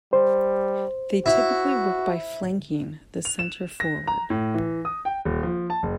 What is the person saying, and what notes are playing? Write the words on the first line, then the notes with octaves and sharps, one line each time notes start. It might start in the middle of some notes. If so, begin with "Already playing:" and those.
They typically work by flanking the centre forward.
G3 C5
E4 F#4
F7
E7
A#6
A#5
A2
E3
D#6
G5
D#1
F3
A5
F#1